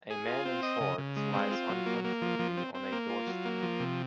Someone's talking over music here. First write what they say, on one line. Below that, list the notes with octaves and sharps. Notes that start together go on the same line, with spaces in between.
A man in shorts lies uncomfortably on a door stoop.
G#4
F4
C4
D#5
C#3
C#3
G#3
C4
F4
F#3
A#3
A#3
F3
F3
C4
C4
A#3
F4
F#3
A#3
F3
C3